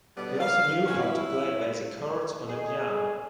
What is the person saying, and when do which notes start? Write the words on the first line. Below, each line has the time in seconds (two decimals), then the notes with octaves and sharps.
He also knew how to play basic chords on a piano.
0.17 B2 D3 G3 B3 C#5 D5
0.40 F5
0.88 C#4 F#4
1.02 E4
2.49 G#4 A4 D#5 G#5